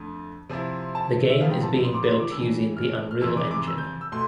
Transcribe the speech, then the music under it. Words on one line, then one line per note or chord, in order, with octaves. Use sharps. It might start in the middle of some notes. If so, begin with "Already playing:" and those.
The game is being built using the Unreal Engine.
Already playing: F2 D3 A3
C3 F3 C4 E4
A5
E5
F2 C3 F3 B3 F5
G5
A5
C6
D6
C6
D6
G2 E3 G3 E6
F6
F6
F2 C3 E3 E6
D6
D6
E6
G6
E6
B2 A3 C6